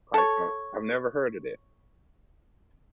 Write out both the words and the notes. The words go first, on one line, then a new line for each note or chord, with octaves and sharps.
Python. I've never heard of that.
A4 C#5